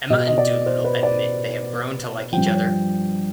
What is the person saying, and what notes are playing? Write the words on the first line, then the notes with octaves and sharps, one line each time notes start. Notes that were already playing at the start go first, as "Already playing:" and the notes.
Emma and Dolittle admit they have grown to like each other.
B2 D#5
D#5
D5
C5
B4
D5
G2 F3 G5